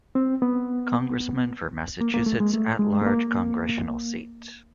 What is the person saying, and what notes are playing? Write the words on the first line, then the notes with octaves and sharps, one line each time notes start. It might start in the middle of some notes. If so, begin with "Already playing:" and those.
Congressman for Massachusetts's at-large congressional seat.
C4
B3
A#3
A#3
A3
G#3
A3
G#3
A3
A#3